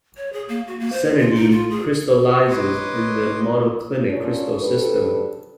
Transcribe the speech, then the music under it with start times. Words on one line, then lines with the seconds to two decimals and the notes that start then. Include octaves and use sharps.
Sanidine crystallizes in the monoclinic crystal system.
0.17 C#5
0.33 G#4
0.49 A#3
0.67 F#4
0.80 A#3
0.93 C5
1.19 F4
1.35 D#4
1.51 F4
1.70 G#4
2.50 B4 C#5 D#5 C6 D6 D#6
4.06 C#4 D4 F4 A#4 C#5
4.58 C#3 F3 D4 G4 A4 B4